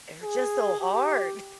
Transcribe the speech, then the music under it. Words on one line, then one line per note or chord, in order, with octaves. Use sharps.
They're just so hard.
G#4
G4